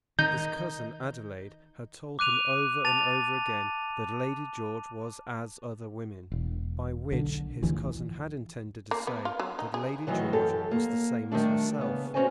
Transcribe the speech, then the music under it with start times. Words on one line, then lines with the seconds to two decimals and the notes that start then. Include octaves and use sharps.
His cousin Adelaide had told him over and over again that Lady George was as other women,--by which his cousin had intended to say that Lady George was the same as herself.
0.19 D#3 D#4 G6
2.19 D6 F#6 D#7 F7
2.84 A5 A6 D#7 F7
6.32 E1
7.12 B1 D3
7.62 A1 D2 E3 F3
8.91 A#3
9.07 B3
9.25 F4
9.39 F#3
9.59 D#4
9.74 G#4
10.07 D2 D#3 E3 F#3
10.33 F#2 G4 A4
10.71 A#3
11.31 D#3 F#3 G3 A3 D4
11.78 C#3 G3 B3
12.14 C#4 E4 F#4 C5 D#5 G#5